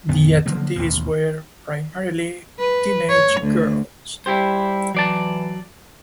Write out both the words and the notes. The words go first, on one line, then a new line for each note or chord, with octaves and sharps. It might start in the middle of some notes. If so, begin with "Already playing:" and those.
The attendees were primarily teenage girls.
A#1 F2 B3
D3 F3 F#3 A#3
A1 D#2 B2
B4
C#5
D2
G3 E4 G4 C5
E3 F#3 D5 A5